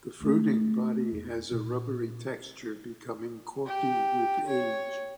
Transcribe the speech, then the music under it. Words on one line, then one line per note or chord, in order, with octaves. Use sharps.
The fruiting body has a rubbery texture, becoming corky with age.
G#3 A3
E2
A#2
G4
C#5